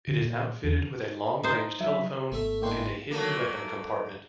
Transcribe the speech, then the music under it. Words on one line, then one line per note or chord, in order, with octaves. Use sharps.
It is outfitted with a long-range telephone and a hidden weapon compartment.
D3
A#2
E2
D#4 C5
F#3 E5
G#1 A3 B3 E5
A2 G#3 A#3 D4 G5 C6
F#3 A3 A#3